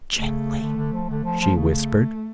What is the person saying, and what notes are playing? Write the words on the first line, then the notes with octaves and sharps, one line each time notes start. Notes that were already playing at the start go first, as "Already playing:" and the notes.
"Gently ..." she whispered.
C#3 A3
D3
D3
F3
D3 A3
F3
F3
C#3